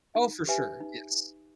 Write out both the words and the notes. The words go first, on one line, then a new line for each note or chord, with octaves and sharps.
Oh, for sure, yes.
D#4
G4 B4 E5 G#5
D#4